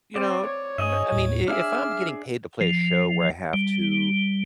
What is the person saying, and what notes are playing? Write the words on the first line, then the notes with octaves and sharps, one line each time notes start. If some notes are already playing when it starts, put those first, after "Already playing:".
You know, n I mean, i if I'm getting paid to play a show where I have to
C4 D5
C#5
G2 G#4 D#5 E5
D#2 A2
D4 G#4 D5 E5 F6
F3
G3